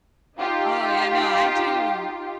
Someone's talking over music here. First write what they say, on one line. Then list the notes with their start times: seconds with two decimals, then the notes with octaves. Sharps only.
Oh, yeah, no, I do
0.39 D#4 F4 G4